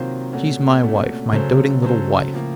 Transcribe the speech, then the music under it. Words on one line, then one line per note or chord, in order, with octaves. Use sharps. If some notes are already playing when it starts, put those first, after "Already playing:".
She's my wife, my doting little wife.
Already playing: C3 D#3 F#3 A#3 F4 C5
A#2 A3 C#4 F#4
A#2 A3 C#4 F#4
C#3 F#3 A3 C#4 A4 C5
F#3 A3 C#4 A4 C5
A2 F3 A#3